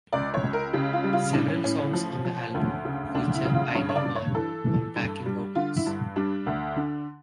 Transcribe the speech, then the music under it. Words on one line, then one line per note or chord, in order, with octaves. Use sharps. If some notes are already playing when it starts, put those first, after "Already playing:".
Several songs on the album feature Aimee Mann on backing vocals.
C#2 D5
C#5
C#2
A#4
C#3 G4
F4
G3
F4
A2 D4
C#4
A2 C#4
C#4
F3
F3
D2
C#3
D2 D4
E4
C#3
F4
G2 C#5
C#5
D5
G2
C#5
E3 A4
E3
G2
G3
D3 F4
E4
G2
G3 D4
D2
D3